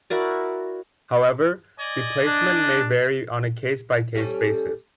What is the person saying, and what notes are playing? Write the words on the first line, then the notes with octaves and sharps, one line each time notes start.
However, the placement may vary on a case by case basis.
E4 F#4 A#4 D5
D5 D#5 G#5
D4
G3 A3 C#4